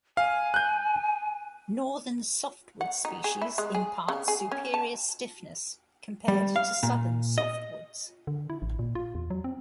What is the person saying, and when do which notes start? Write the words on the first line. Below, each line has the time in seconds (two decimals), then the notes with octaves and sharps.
Northern softwood species impart superior stiffness compared to southern softwoods.
0.17 F5 G#5
0.54 F#6 G6
2.81 F#5
3.05 D#4
3.24 G#4
3.42 E4
3.58 G#3
3.75 G#4
4.08 C#3
4.28 G#4
4.52 C#4
4.74 A5
6.28 G3
6.56 F5
6.83 A#2
7.38 D#5
8.27 D3
8.50 E4
8.62 A1
8.79 A#2
8.95 F4
9.15 E2
9.30 F#3
9.44 C4